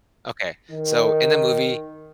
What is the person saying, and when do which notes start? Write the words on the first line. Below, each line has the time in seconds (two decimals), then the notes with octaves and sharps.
Okay, so, in the movie,
0.70 D#3